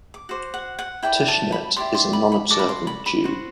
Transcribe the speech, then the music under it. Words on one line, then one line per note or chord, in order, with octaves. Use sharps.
Tushnet is a nonobservant Jew.
D6
F#4 C5
F#5
F#5
E4 B4 D5 G5
A5
B5
E4 G4 D5 C6
C6
B5
B5
F#4 A4 D5 D6
B5
C6
B5
B5
F#4 C5